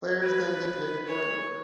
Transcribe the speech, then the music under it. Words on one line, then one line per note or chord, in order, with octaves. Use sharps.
Players then get paid accordingly.
B4
C#5